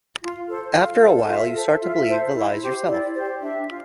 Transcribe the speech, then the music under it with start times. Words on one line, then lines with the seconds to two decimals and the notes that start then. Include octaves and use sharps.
After a while, you start to believe the lies yourself.
0.21 F4
0.48 A4 C5
0.74 F4 F5
1.01 A4 C5
1.28 F4 E5
1.55 A4 C5
1.81 F4 E5
2.08 A4 C5
2.34 E4
2.62 G4 C5
2.88 E4 D5
3.15 G4 C5
3.41 D4 E5
3.68 F4